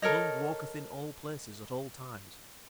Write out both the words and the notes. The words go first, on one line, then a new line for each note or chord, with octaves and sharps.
Mung walketh in all places at all times.
A4 A#4 C#5 D#5